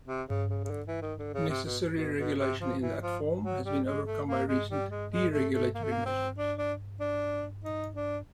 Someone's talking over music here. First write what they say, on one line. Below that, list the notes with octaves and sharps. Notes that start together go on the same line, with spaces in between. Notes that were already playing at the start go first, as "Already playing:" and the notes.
Necessary regulation in that form has been overcome by recent deregulatory measures.
C3
C#3
C#3
C#3
D3
E3
D#3
D3
C#3
C3
B2
B2
B2
C3
F3
E3
F3
F#3
G3
G#3
A3
A#3
G#3
G3
G#3
G#3
A3
A3
A#3
A3
A#3
C4
D4
D4
D4
D#4
D4